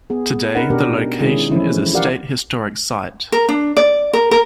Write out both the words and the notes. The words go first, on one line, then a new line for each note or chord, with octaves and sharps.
Today, the location is a state historic site.
B3 G#4
C#4 D#4 A#4 B4 F#5
B2 B3 D4 G4 A#4
D#3 G#3 C#4 E4 G#4
E3 F3 A3 C#4 E4
F4 G4 A#4 D5 F5 F#5
A#4
D4
D5
A#4
A#4